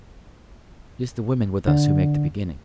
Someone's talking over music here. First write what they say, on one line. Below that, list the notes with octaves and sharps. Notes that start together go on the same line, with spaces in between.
It is the women with us who make the beginning.
D3